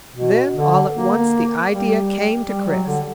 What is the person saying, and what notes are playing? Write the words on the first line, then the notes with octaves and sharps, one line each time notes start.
Then all at once the idea came to Chris.
B2
D3
A#3
G3
G3
F#3
D3